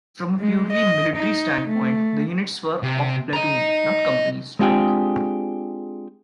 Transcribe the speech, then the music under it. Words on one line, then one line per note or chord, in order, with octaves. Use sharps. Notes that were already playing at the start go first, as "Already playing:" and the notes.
From a purely military standpoint, the units were of platoon, not company, strength.
G#3
D#5
D#4
A3
C3
D#5 A#5
G#3 C4 D4 F4 G4 G#4